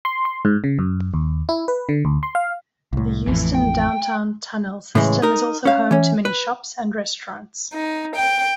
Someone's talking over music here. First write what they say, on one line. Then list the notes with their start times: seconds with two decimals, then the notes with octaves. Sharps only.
The Houston Downtown Tunnel System is also home to many shops and restaurants.
0.05 C6
0.25 C6
0.45 G#2
0.64 C#3
0.79 F#2
1.14 D#2
1.49 E4
1.68 B4
1.89 D3
2.05 D2
2.23 C6
2.35 F5
2.93 C2 A2
3.27 A1 F2 A2 E3
3.54 G5
4.95 A2 C#3 E3 G#3
5.22 D#4 A#4
5.65 C#4 F5
5.91 E3 C#4
6.25 B4
7.73 D#4
8.15 G5